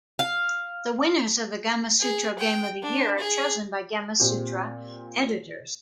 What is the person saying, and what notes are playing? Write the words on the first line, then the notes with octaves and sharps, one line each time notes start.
The winners of the Gamasutra Game of the Year are chosen by Gamasutra editors.
F5
G#4
G5
D4
G#4
A#2 C4 G4